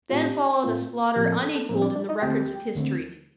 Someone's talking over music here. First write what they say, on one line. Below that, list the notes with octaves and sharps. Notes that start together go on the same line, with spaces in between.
Then followed a slaughter unequalled in the records of history.
A2 A3 C4 F4 G4
A2 A3 C4 F4
A2 F3 C4 G4
A4
A4
A4
A2 F3 A#3 C4 A#4
D4 D5
D4 D5
D#4 D#5
D#2 D3 A3 C4 G4 G5
D#2 D3 A3 C4